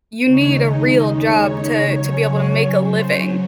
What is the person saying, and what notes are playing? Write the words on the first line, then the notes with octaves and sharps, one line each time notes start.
you need a real job to to be able to make a living.
D#2 C#3 G#3 D#4 C#5
D#5
C#5
C#3 F#3 C#4
C5